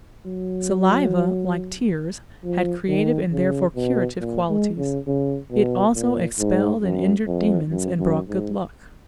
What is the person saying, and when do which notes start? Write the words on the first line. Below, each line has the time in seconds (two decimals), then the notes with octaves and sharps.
Saliva, like tears, had creative and therefore curative qualities; it also expelled and injured demons and brought good luck.
0.26 F#3
2.44 F3
2.89 D#3
3.32 C#3
3.76 B2
4.20 A#2
4.49 G#3
4.78 C#3
5.07 C#3
5.51 B2
5.95 A#2
6.39 G#2
6.82 F#2
7.27 F2
7.70 F#2
7.99 F#2
8.29 G#2